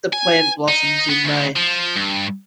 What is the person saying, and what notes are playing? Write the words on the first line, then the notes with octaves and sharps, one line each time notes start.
The plant blossoms in May.
G#5
D#4
B3
D2
F3
G2